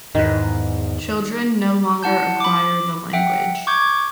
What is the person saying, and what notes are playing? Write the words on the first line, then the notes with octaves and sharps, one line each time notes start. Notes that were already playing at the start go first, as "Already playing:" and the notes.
Children no longer acquire the language.
E2 G#2 D#3 B4
E4 F#5 A5 G6
B5 D6
E5 F#5 G5
C#6 D6 G6 G#6